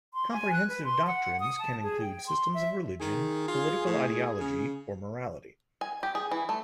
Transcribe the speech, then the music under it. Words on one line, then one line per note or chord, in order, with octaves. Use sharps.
Comprehensive doctrines can include systems of religion, political ideology, or morality.
C6
G#5
F#6
B4
C6
F#5
D#6
A5
G#4
G5
C6
E5
D#3 G#4
F4
A2
C#3
G#5
G4
G#4
E3
A3